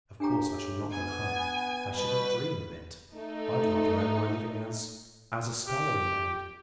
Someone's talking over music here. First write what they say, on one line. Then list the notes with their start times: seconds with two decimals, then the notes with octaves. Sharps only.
Of course I shall not go home; I shouldn't dream of it; I'd rather earn my living as--as a scullery maid.
0.20 A2 D4 G4 G5 A#5
0.91 B3 G#5
1.93 B2 G3 B4
3.14 A3 D#4
5.67 G4